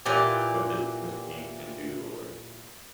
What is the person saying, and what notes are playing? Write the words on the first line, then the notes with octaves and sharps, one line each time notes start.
what this machine can do," or
A#2 E3 G4